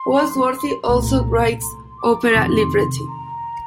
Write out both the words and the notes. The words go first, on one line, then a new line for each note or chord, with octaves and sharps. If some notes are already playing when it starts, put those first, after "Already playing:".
Goldsworthy also writes opera libretti.
Already playing: C6
C2 A#2 A3 A#5
C6
D6
F2 C3 D#3 A3 C6
A#5